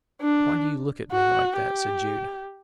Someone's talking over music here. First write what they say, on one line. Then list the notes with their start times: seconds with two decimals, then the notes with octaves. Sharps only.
"Why do you look at me like that?" said Jude.
0.22 D4
1.12 F#4
1.57 G4